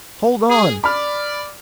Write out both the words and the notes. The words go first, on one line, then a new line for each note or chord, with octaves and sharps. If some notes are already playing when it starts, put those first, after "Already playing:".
"Hold on!"
G#4
D5 B5 F6